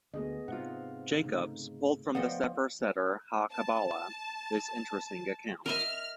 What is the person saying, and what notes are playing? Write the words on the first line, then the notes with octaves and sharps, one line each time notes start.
Jacobs, pulled from the "Sefer Seder ha-kabbalah" this interesting account.
D2 B3 G#4 D#5
G#2 C3 F4 F#5
C#3 A3 D#4
F3 B3 D5 D#5 F#5 G5
A5
A#4 D#5 E5 F6